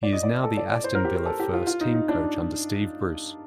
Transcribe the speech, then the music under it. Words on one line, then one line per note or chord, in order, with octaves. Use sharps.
He is now the Aston Villa first team coach under Steve Bruce.
D5
D#5
D5
A4
D5
D5
C5
A#4
G4
C5
A4
G4
F4
F4
D#4
D#4
D4